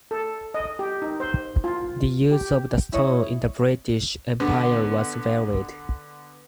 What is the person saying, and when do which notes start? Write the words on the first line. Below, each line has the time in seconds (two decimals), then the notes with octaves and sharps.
The use of the stone in the British Empire was varied.
0.11 A4
0.54 D#5
0.79 G4
1.02 D#4
1.20 C5
1.64 F4
2.31 G4
2.92 E4 C#5 D#5
4.40 D3 B3